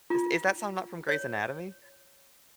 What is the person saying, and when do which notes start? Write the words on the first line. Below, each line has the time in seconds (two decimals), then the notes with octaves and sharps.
Is is that song not from Grey's Anatomy?
0.10 F4
1.09 C#5